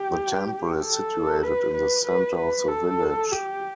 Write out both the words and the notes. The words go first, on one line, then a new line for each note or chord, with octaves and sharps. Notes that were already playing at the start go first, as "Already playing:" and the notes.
The temple is situated in the centre of the village.
Already playing: G4
A4
B4
B4
B4
B4
A4
G4